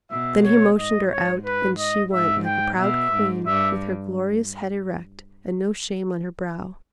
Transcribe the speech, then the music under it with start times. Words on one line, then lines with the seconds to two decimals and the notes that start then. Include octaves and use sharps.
Then he motioned her out and she went, like a proud queen, with her glorious head erect and no shame on her brow.
0.11 B2 E5
0.45 C#5
0.78 G#2 D#5
1.12 C#5
1.46 B4
1.79 D#5
2.13 G#2 E5
2.46 G5
2.80 B2 E5
3.13 G#2
3.46 G2 E5